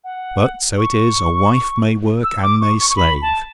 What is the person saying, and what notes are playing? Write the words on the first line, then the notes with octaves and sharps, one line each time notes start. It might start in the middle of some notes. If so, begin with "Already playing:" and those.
But so it is: a wife may work and may slave!
F#5
C#6
E6
D6
C#6
C#6
C#6
B5
A5